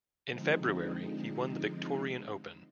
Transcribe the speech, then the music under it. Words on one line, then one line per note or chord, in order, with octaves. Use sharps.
In February he won the Victorian Open.
D3 F3 G#3 C4 D#4